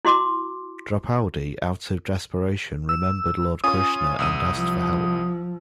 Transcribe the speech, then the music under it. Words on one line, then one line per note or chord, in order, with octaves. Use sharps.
Draupadi, out of desperation, remembered Lord Krishna and asked for help.
E4 F#4 C6 D6
E6
C#4 F4 G#5 D#6
C2 E6 D#7
F3